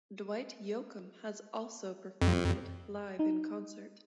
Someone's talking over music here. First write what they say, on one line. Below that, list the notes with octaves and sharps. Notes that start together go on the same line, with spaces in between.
Dwight Yoakam has also performed it live in concert.
F2
D#4